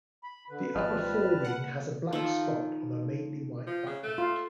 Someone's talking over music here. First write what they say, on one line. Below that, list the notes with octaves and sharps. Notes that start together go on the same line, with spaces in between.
The upper forewing has a black spot on a mainly white background.
B5
D3 B4
G#1 F3 G3 A5 F6
F#5
D#3 F3 A4
F3
C#3
A3
F4